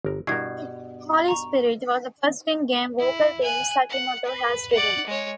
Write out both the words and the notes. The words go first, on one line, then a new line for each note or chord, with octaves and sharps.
"Holy Spirit" was the first in-game vocal theme Sakimoto has written.
G1 A#4
G2 B2 E4 A#4 G#6 C7
A#5 C#6
E4
G#5 F#6
F#5
B4
D5 F#5
G#3 C#5